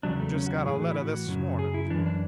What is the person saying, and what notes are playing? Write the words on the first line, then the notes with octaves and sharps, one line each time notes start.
'Just got a letter this morning.'
E2 C#3 F#3 D4
A3
C#4
F#4
E4
A2 E3 G#4
F#4
E4
F#4
F#2 C#3 F#3
G#4
E4
F#2 E3 D4
D4